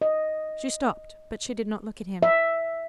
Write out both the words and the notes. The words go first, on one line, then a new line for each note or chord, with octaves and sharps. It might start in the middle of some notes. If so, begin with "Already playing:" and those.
She stopped, but she did not look at him.
D#5
E5